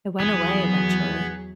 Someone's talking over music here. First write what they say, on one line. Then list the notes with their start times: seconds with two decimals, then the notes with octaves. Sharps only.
it went away eventually.
0.20 E2 E3 F#3 B3 G#4